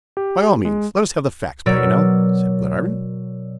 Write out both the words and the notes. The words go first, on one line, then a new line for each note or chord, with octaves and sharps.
"By all means let us have the facts, Paganel," said Glenarvan.
G4
G#3
B2 F#3 A#4 C#5 D5 E6